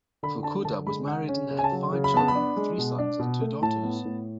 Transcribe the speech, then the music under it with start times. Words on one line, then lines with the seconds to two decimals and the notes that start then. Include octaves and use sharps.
Fukuda was married and had five children: three sons and two daughters.
0.23 D3 B5
0.44 D4 A5
0.65 D3 A5
0.87 G#3 B5
1.07 C#3 F#5
1.29 C#4
1.51 C#3
1.59 G#5
1.64 A5
1.72 F#3
1.92 C#3
2.04 B5
2.14 B3 A5
2.28 B5
2.35 D4
2.57 G#3
2.78 B2
2.98 D4
3.19 B2
3.41 A3
3.62 A2 A5
3.83 B3
4.05 A2